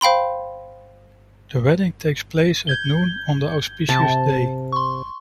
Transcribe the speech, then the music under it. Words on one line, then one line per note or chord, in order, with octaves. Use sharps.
The wedding takes place at noon on the auspicious day.
C5 F5 G5 B5 C6
G6 G#6 G7
C3 A5
C6 C#6